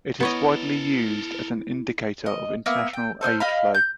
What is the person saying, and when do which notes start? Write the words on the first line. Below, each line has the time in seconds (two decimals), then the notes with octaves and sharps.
It is widely used as an indicator of international aid flow.
0.20 B3 E4 A4 A#4 C#5 D#5
2.26 D#5
2.66 A#3 B3 E5
2.93 G5
3.21 A4 C5 D#6 F6
3.40 D#5 F5 B5
3.75 G6